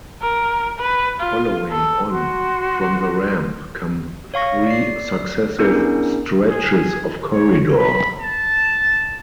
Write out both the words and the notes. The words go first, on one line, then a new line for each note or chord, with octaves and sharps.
Following on from the ramp come three successive stretches of corridor.
A#4
B4
F4
A4
F#4 C6
C#5 F5 C#6 A#6
D5 C7
B3 C#4 D4 E4 G#4 A#4
G#4
C#5
B5
A5